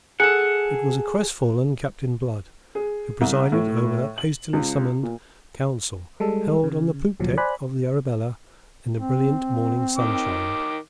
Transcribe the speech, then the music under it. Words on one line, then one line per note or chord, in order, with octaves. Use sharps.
It was a crestfallen Captain Blood who presided over that hastily summoned council held on the poop-deck of the Arabella in the brilliant morning sunshine.
G#4 A4 F#5
G#4
C2
A2
F#7
C#2
A#2
G3 G#3 A4
C#3
D2 A#2 F3 F#3
C5 D5 G#5 B5 F#6
C4
D#3 D6